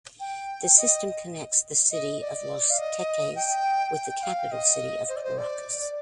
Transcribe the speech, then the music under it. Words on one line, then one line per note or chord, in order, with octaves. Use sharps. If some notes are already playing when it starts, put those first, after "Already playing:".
The system connects the city of Los Teques with the capital city of Caracas.
G5
D#5
D#5
D5
F5
D#5
G5
G5
G5
F5
D#5
C5
D5
C5
D5